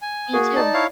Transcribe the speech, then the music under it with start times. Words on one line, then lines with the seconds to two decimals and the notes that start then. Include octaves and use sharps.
Me, too.
0.02 G#5
0.33 A#3 F#4 G#4
0.56 D#4 D5 A5
0.74 E4 C#5 F5